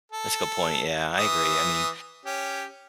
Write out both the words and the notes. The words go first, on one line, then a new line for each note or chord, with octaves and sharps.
That's a good point, yeah, I agree. I mean
A4
E3 D#6
C#4 G4